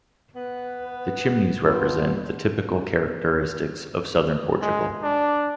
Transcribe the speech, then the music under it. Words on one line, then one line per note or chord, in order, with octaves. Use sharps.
The chimneys represent the typical characteristics of southern Portugal.
B3 B4
G2 B2 B3 F4
G#3
D4